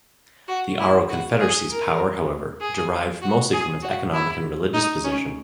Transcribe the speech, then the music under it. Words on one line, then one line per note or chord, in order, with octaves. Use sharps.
The Aro Confederacy's power, however, derived mostly from its economic and religious position.
F#4
E4
F#4
G#4
A#4
G#4
F#4
G#4
F#4
E4
D#4
C#4